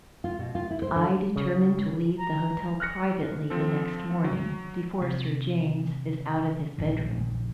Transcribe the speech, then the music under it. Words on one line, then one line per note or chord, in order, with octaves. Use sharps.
I determine to leave the hotel privately the next morning before Sir James is out of his bedroom.
F4
B2
F4
E4
C5
D3
C#3
A#5
F6 F#6 A#6 C#7
F3 C4 A4
F#3
C3
A#1 F2 A2 C#3